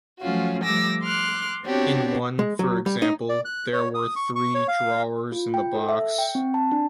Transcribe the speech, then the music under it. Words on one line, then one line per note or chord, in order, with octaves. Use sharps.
In one, for example, there were three drawers in the box.
F3 F#3 A3 C#4 F4 F#4
F3 G3 A3 D6 E6 A#6
C6 D6 F6 F#6
B3 C4 D4 F#4 G4 C#5
G#3
F#3
G3
D#4
D5
F#6
C#5
D#6
C#6
C#6
C#5
F5
F4
G5
A4
E5
G5
C4
A5
D4